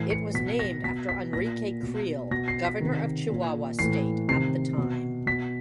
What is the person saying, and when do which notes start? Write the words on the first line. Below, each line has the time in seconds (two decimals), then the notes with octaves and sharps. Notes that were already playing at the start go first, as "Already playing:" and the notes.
It was named after Enrique Creel governor of Chihuahua state at the time.
Already playing: A2 E3 C7
0.10 C#7
0.34 B2 B6
0.59 A#6
0.84 B2 B6
1.09 B6
1.33 A#2 A#6
1.83 B2
2.31 B2 A#6
2.48 C7
2.65 B6
2.80 C3 D#3
3.29 A#2
3.79 A2 E3 C7
4.28 C3 D#3 C7
4.78 B2
5.27 B2 B6